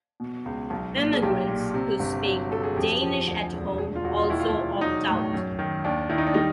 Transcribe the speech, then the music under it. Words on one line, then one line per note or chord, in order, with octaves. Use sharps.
Immigrants who speak Danish at home also opt out.
B2
C#2
B1
A#2
G#4
B1 G4
A#2
C3
G1
F#3
F#3 A4
G#4
F2 G4
F3
D2
E1
E1 G#4
F4
E1 F#4
F4
D#2 E4
F4
E4
E1
F#3 D#4
A2
F#2
D#3
D#2 D4
D#3 E4
D#4
D4
G3 D#4